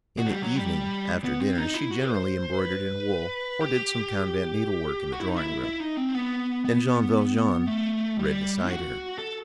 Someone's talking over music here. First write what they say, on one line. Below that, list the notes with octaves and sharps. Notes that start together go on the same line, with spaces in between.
In the evening, after dinner, she generally embroidered in wool or did some convent needlework in the drawing-room, and Jean Valjean read beside her.
F#4
A3
G3
F#3
G3
B3
C4
D#4
E4
F#4
C5
B4
G4
F#4
E4
D#4
E4
E4
D#4
C4
B3
B3
A3
G3
F#4
A4